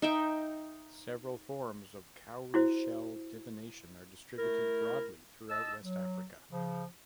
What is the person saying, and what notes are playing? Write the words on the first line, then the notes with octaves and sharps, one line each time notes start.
Several forms of cowrie-shell divination are distributed broadly throughout West Africa.
D#4 E5 G5
E4 F#4 C5
A3 E4 A#4
D#5 A5 E6
F#3
C#3 F3